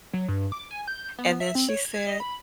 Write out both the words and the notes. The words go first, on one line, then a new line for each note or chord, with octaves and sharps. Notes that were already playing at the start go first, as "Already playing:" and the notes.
and then she said,
F#3
G2
D6
G#5
G6
B3
E5
C4
C#5
G#6
D#5
B5